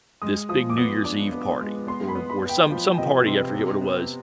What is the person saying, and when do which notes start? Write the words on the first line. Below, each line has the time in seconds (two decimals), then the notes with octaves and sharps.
this big New Year's Eve party or or some some party, I forget what it was,
0.22 G#3 D#6
0.49 F3 D#6
0.70 D6
0.77 B3 D#6
1.04 D4 D6
1.32 B3
1.61 G#3
1.87 B3 C6
2.08 B5
2.15 B3
2.30 B5
2.43 B3
2.49 G5
2.71 F3
2.98 C3 D#5
3.26 C3 C6
3.54 B3
3.81 B3